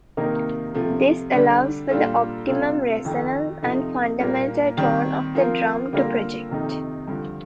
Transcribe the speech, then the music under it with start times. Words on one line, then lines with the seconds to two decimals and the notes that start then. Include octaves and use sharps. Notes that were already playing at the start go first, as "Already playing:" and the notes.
This allows for the optimum resonance and fundamental tone of the drum to project.
0.17 C3 D#3 A#3 D#4 A#4
0.75 C3 F3 A3
1.32 D3 G3 D4
1.89 A#2 G3 D4 F4 A4
2.47 C3 G3 D4 F4 A4
3.05 F2 D#3 A3
3.62 C3 F3 A3 D#4
4.20 A#2 G3 A#3
4.78 D#3 G3 C4
5.35 F3 C4 F4 A#4
5.93 D3 G3 A#3 F4 A4
6.49 F2 C3 D#3 A3 D#4
7.08 G2 D3 F3